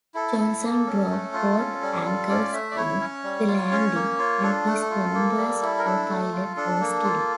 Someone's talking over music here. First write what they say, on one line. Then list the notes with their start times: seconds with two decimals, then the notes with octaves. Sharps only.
Johnson broke both ankles in the landing, and his bomber's co-pilot was killed.
0.14 E4 A4
0.39 E4
0.63 A#3
0.86 C#4
1.10 A3
1.33 F4
1.58 C#4
1.82 G3
2.06 F4
2.29 C#4 D5
2.53 A3 E5
2.71 D5
2.76 E4 C#5
3.00 C#4
3.24 G3
3.48 F4
3.71 C#4
3.95 A#3
4.19 F4
4.43 D4 A4
4.67 A3
4.91 F4
5.14 A#3
5.38 G3
5.62 E4
5.78 A#4
5.85 D4 A4
6.09 A3
6.33 F4
6.56 D4 A4
6.81 A#3
7.04 F4